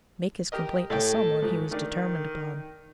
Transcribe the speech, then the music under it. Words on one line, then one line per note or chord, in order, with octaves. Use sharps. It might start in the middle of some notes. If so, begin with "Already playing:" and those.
Make his complaint to some one, he was determined upon.
G4 A#4 D#5
A2 A4 C#5 G5
G#2 F3 A3
D#3 A3 D4